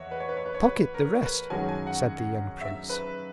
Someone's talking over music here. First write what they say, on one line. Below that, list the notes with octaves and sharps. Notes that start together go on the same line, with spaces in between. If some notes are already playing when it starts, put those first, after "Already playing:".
"Pocket the rest," said the young prince.
Already playing: E2 C#5 D#5 E5 F#5
B4
C#5
B4
C#5
B4
C#5
B4
A#4
B4
F#2 D#3 G#3 C#4 F#4 G#5
G#5
F#5
E5
B4